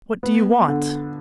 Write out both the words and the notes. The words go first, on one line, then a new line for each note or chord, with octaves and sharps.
"What do you want?"
B3
D3